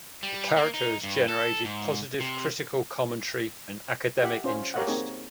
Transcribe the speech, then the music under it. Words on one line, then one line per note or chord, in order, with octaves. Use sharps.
The character has generated positive critical commentary and academic interest.
G3
A#3
D#4
G2
A4
G#2
C3
G4 E5 F#5
C#4 F4 C5
G4 A#4 C#5 D#5 F5 F#5
A#3 C4 D#4 G#4 C#5